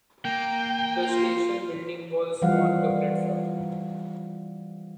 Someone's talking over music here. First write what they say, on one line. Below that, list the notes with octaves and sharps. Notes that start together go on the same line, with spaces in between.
The station building was on the platform.
A#3 G5
F4
E3 F3 G3 F5 F#5